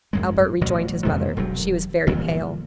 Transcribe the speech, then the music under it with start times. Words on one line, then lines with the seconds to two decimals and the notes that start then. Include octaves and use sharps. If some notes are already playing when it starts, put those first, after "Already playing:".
Albert rejoined his mother; she was very pale.
0.13 G#1 F#2 G#3
0.61 A1 B2 F#3
1.05 F2 C3 G#3 A#3
1.37 E1 G2 F#3
2.07 G1 A#2 E3 F3